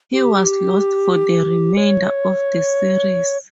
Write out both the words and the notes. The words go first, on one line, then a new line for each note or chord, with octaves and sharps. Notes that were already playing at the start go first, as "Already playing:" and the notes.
He was lost for the remainder of the series.
G4
C#5